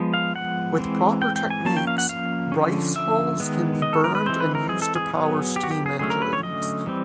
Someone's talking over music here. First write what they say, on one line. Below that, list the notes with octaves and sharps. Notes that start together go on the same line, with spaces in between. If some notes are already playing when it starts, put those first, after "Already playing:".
With proper techniques, rice hulls can be burned and used to power steam engines.
Already playing: F3 G#3 B3
F5
F#5
E3 G#3 C4
G5
G5
G#5
F3 A#3 C#4 A5
G5
F5
F#5
F5
D3 F3 G#3 C#4
E5
D#3 G#3 B3
D#5
A4
A#4
B4
E3 G#3 C4 C5
B4
A#4
G#4
A4
G#4
F#3 B3
G4
F#4
G4
G#4
D3 F#3 A3 C#4 G#4
A#4
B4
C#5
D#5
E3 G3 C4